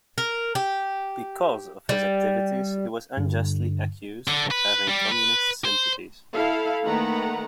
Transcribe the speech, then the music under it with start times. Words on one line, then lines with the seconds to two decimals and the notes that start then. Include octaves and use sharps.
Because of his activities, he was unjustly accused of having communist sympathies.
0.18 A#4
0.55 G4
1.89 G3
3.17 G2 D3
4.28 D3
4.51 B4
4.88 G3
5.11 B4
5.65 C5
6.34 E4 A4 F5
6.85 D#3 A3 A#3 B4 F#5 A#5